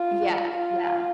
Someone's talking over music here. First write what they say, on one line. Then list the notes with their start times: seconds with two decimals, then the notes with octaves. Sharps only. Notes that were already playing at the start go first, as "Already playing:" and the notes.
Yeah, yeah.
Already playing: F4
0.54 F4